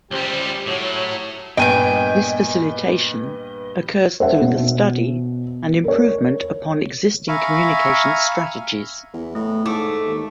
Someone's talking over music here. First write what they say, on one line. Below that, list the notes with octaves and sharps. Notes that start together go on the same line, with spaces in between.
This facilitation occurs through the study and improvement upon existing communications strategies.
C#2 G3 G4 C5
A2 F#3
G2 A#2 B3 D#5 G5 G#5 G6
C5 E5 F#5
B2
A#4 C#5
E5 F5 G#5 A#5 B5 C#6
E2
A2 A3
G#2 A3 D6
D#2